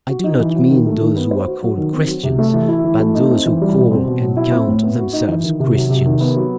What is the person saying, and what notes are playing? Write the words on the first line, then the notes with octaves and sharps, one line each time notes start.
I do not mean those who are called Christians, but those who call and count themselves Christians.
F#4
D#4
E3
F#3
D#3
A3
D#3
B3
C5
F#4
F#3
D#3
C4
F#3
C3
A3
E3
E4
E3
A3
D#4
C4
E3
G3
B2
C4
B2
F#3
E4
C4
A2
B3
F#4
D#4
E3
D#3
C3
F#3
C3
D#3
B3
F#3